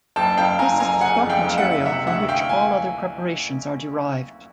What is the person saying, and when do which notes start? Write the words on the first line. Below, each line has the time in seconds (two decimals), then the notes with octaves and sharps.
This is the stock material from which all other preparations are derived.
0.16 F#1 G5 A5
0.37 F#1 F5 G5
0.58 F#1 G#5 A#5
0.80 F#1 G#5 A#5
1.01 C#3 F#5 G#5
1.23 F2
1.29 F5 G5
1.44 F#1
1.58 E5 F#5
1.65 F#1
1.86 C3 E5 F#5
2.07 D2 E5 F#5
2.28 D2 F5 G5
2.49 G#5